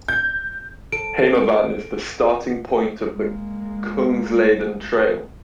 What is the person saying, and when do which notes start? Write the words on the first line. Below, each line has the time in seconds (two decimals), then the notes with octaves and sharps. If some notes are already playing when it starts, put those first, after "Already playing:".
Hemavan is the starting point of the Kungsleden trail.
0.08 G6
0.92 A4 D7
3.13 G#3 A#3